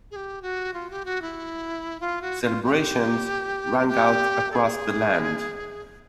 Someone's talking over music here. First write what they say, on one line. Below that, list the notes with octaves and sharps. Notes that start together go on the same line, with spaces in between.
Celebrations rang out across the land.
G#4
G4
F#4
F4
G4
F#4
E4
F4
F#4
F#4
F4
G4
G4
A4
G#4